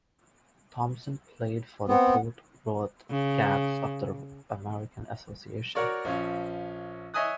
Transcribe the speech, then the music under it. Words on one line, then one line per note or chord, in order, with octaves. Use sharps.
Thompson played for the Fort Worth Cats of the American Association.
B3 C4 F#5
C#3
F#4 A#4 C#5 D5
A#1 F3 C#4 C#5
C#5 D#5 E5 G#5 D#6 F#6